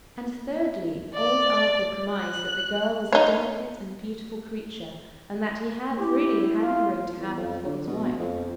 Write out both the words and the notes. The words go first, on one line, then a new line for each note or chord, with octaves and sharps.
And, thirdly, old Arthur premised that the girl was a delicate and beautiful creature, and that he had really a hankering to have her for his wife.
D5
F#6
D#4 C#5
E4 G4
F4
E2
F2
D3
B2
B2
F2